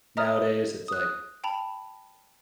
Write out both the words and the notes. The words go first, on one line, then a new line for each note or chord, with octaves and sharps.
nowadays it's like
D#5 E5 A#5 D#6 F6
D#6 F#6
G5 A5 B5 F7